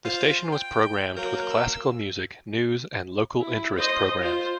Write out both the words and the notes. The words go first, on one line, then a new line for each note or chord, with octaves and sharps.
The station was programmed with classical music, news and local interest programs.
F4 C5 F5
G5
F#3 A#3 A#4 G6
E6
E4
C5 D#5
F4 C5